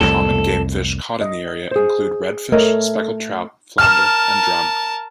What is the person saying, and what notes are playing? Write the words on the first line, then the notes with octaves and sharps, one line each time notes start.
Common game fish caught in the area include redfish, speckled trout, flounder, and drum.
C2 F2 A2 A4
D#5
G#4 C5
A3 A#4 C#5 D#5
A#4 A5 F6 E7